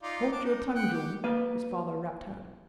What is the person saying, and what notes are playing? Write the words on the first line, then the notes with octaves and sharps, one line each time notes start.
"Hold your tongue, John," his father rapped out.
D#4 F4 D5
D4 D6
D#4
F#5 G5
G4
A#3 B4 F5